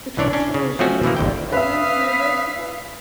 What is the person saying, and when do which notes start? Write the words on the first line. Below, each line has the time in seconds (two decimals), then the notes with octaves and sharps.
The transformation is then always reversible.
0.17 C2 E3 D4 C#5 D5
0.33 C#4 D4
0.54 C#3
0.79 F3 F#3 A3 C4 C#4 F#4
1.03 B2 E3 F3 A#3
1.16 G1 D#2 G5
1.52 B4 E5 F5 D#6 B6